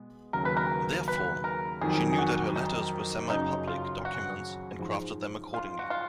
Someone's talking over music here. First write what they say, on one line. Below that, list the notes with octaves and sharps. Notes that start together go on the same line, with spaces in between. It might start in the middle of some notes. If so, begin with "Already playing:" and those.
Therefore, she knew that her letters were semi-public documents and crafted them accordingly.
Already playing: B2 G#3 B3
D#2 C#3 F#3 A#4
B4
A#4
B4
A#4
F2 D#3 F#3 G#4
G#4
F#4
D#4
F#2 C#3 F#3 D#4
F4
F#4
G#2 F3 G#3
F4
F#4
F4